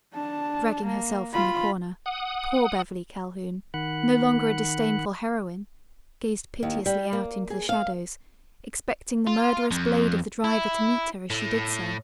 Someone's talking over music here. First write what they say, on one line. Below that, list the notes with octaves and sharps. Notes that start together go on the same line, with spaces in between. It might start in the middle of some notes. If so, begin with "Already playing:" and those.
Dragging herself from the corner, poor Beverly Calhoun, no longer a disdainful heroine, gazed piteously out into the shadows, expecting the murderous blade of the driver to meet her as she did so.
D4 A5
A#3
F4 B5
F#5 D#6
D#3 F#5 B5 F#6
D#2
G3
A#3
G#4
F5
F4
F2
E4
A2